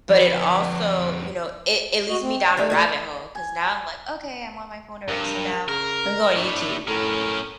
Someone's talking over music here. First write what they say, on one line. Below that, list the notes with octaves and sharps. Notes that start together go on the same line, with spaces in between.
but it also you know, it it leads me down a rabbit hole 'cause now I'm like, "Okay. I'm on my phone already. So now lemme go on YouTube.
F2 B4
F#4 D#5
C4
G5
A3 G4 D5
A#2 A#3 D5
G#5
G2 A#4
C#3 A#4
D4 E4 C#5
A2 C#4 A#4